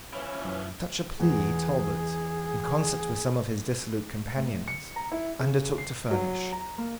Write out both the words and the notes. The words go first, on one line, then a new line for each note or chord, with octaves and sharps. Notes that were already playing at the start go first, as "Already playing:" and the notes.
Such a plea Talbot, in concert with some of his dissolute companions, undertook to furnish.
E3 F3 C#4 E4
F#2
E2 G#4
A2
C#7
A#5
E4
C#3
C7
F#3
A#5
A#3